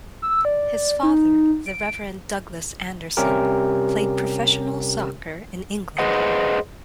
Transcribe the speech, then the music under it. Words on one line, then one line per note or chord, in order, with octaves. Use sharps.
His father, the Reverend Douglas Anderson, played professional soccer in England.
E6
D5
D#4
D7
C3 G3 C#4 G4 A#4
G#4 B4 C5 D#5 F#5